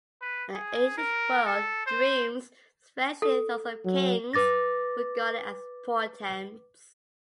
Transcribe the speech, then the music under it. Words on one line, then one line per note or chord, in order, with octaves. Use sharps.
In the ancient world, dreams, especially those of kings, were regarded as portents.
B4
G#4
A#4
A4
C5
A4
F#3
B4 D6 A6 A#6